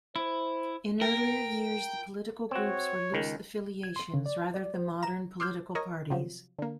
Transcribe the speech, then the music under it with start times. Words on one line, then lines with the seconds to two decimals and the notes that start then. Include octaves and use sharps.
In earlier years, the political groups were loose affiliations rather than modern political parties.
0.16 E4 C5
1.01 A#4 G5
2.51 C4 F#4 C#5
3.12 C#2 D#3
3.83 G#6
3.96 C6
4.14 C#3
4.26 D5
4.41 A5
4.54 D5
4.74 C5
5.03 A#5 E7
5.40 C6 D6 E6 F6 G6
5.75 A#4 C#5 D#5 A#5
6.10 C3 F3 F#3
6.59 D3 A#3